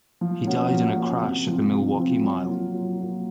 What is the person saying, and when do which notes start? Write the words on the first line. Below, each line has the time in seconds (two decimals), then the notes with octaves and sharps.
He died in a crash at the Milwaukee Mile.
0.21 F3
0.46 A#3 C#4 F#4
0.72 F3
0.96 A#3 C#4 F#4
1.21 C3
1.46 F3 C4 F4
1.71 C3
1.97 F3 C4 F4
2.22 F#3
2.47 A#3 F4
2.72 F#3
2.97 A#3 F4